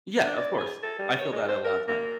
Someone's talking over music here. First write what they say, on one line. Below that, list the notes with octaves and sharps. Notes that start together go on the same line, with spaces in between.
Yeah, of course. I feel that a lotta times.
D4
D5
G#4
A4
G3
C#5
G#3
C5
A#4
A#3